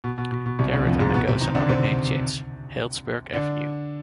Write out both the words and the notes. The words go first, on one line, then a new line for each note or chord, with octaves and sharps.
There it undergoes another name change: Healdsburg Avenue.
B2
B2
B2
B2
C2 C3
D2 D3
F2 F3
G#2 G#3
B2 B3
C3 C4
D#3 D#4
D3 D4
C3 C4
D3 D4